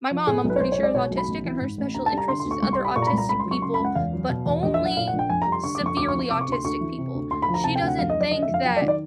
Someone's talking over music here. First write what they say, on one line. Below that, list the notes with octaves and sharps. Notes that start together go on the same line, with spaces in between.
My mom, I'm pretty sure is autistic and her special interest is other autistic people, but only severely autistic people. She doesn't think that
F3
A2 G#4
B1
B4
C#5
B1 C5
C#5
G#3
D5
B2 C#5
B1
B5
A1
E3
G#2
A1
D2 A#5
A5
G3
A#5
D3 C6
C6
D2
C#6
C2 C#6
C6
G3
B5
A#2 C#6
A#5
B5
C2
A#5
C#2 B5
C6
F#3
C#6
C#3 C6
C#2 B5
F#5
E2 F5
F#3
B2
E2
A#1 D#5
E5
F#3 F#5
A#2 F5
F#5
A#1
G5
F2 G#5
G3 A#5
C6
D3 C#6
D6
F2
C#6
D2 D6
C#6
F3
C#6
C3 D6
C#6
D2 C6
D2 C#6
E3
C3
D2
D2 C6
B5
F3
A#5
C3 A5
G5
D2
F#5
F2 F5
D#5
F#3
D5
D3 D#5
E5
F2
F5
F#3 G5
D5
D#3
D5